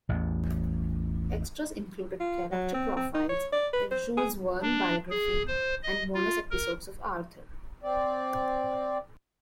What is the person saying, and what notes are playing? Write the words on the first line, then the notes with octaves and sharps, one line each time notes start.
Extras included character profiles, a Jules Verne biography, and bonus episodes of Arthur!
A1 E2
F4
F#3
C4
C4
D#4
C#5
D5
B4
C5
G#4
D4
G#4
C5
D#5
F4
A#4
C4 D5